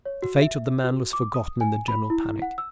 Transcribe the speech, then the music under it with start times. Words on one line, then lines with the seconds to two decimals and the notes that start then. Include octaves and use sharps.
The fate of the man was forgotten in the general panic.
0.05 C#5
0.22 F#4
0.42 E5
0.84 F#4
1.13 D6
1.34 D#6
1.61 G#5
1.88 B5
2.10 E4
2.42 F#5
2.58 E6